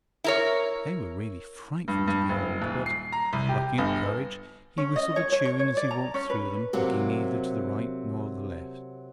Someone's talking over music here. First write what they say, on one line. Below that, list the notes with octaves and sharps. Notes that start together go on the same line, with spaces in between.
They were really frightful to behold, but, plucking up courage, he whistled a tune as he walked through them, looking neither to the right nor the left.
E4 A#4 C#5
G2
G2
F#1
D#1
C7
A#5
C2
G4
G1
C#4
D#5
C#5
C#5
C#5
C#5
D5
A#5
C#4
B4
C3 F#3 A#3